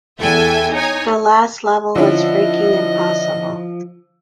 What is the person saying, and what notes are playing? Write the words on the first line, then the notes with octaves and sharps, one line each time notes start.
The last level was freaking impossible!
E2 A4 E5 G5 G#5
D#4 C#5 G#5
D3 F3 C#4 E4 D#5